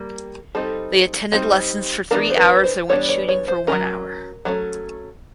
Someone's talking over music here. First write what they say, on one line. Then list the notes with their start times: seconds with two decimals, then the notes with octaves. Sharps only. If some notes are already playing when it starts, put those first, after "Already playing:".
They attended lessons for three hours and went shooting for one hour.
Already playing: G3 A#3
0.55 G3 C4 D#4 A4
1.32 G3 C4 D#4
2.11 E3 G3 B3 D4 A#4
2.30 C5
2.37 B4
2.64 C5
2.89 E3 G3 B3 D4 C#5
3.09 C#5
3.28 C#5
3.48 C5
3.67 A3 C#4 A#4
3.72 F#3
4.45 F#3 A3 C#4